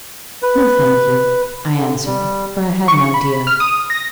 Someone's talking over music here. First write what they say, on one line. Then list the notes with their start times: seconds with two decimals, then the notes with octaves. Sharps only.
'No, thank you,' I answered, for I had an idea.
0.42 B4
1.75 D3
2.06 G3
2.88 C#6
3.14 B5
3.47 F6
3.60 D#6
3.90 A#6